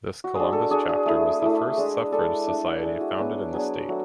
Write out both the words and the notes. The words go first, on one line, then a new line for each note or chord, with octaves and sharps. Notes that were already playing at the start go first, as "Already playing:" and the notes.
This Columbus chapter was the first suffrage society founded in the state.
F#4
G#3 D4 G#4
A4
G#3 D4 G#4
G#4
A3 E4 G#4
A3 E4
G#3 D4
G#3 D4 A4
A3 D4
A3 D4 G#4
F#4
F#3 B3 D4 G#4
F#3 B3 D4 G#4
F#3 A3 F#4